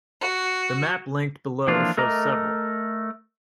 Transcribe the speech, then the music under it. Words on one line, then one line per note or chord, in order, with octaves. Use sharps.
The map linked below shows several.
F#4
E3 F3 A#3 D4 F4
A3 A#4 D#5 A#5 D6